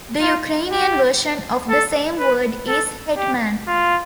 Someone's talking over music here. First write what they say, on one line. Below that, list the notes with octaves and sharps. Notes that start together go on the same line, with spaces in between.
The Ukrainian version of the same word is Hetman.
F4
G4
A4
B4
A4
G4
F4